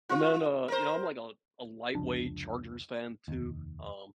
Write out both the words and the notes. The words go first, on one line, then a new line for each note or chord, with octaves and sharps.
And then, uh, you know, I'm like a a lightweight Chargers fan too, um,
F4
A#4 C5
F1 C#2 F3 D4
F1 D#2